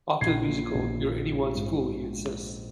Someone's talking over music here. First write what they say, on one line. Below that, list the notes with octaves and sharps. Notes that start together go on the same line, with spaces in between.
After the musical, you're anybody's fool, he insists.
A#1 G#6 C7
A#2
A#1
F4
G3
G#2